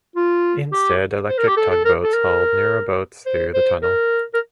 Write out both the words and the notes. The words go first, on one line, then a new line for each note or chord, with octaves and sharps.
Instead, electric tug boats hauled narrowboats through the tunnel.
F4
G4
C5
A#4
G4
A4
A4
A#4
A4
A#4
C5
C5
A#4
A#4